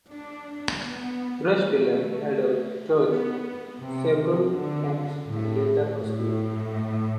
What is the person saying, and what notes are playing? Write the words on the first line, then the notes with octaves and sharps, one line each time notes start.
Rushville had a church, several homes, and later a school.
D4
B3
A3
B3
C3
D3
A2
A2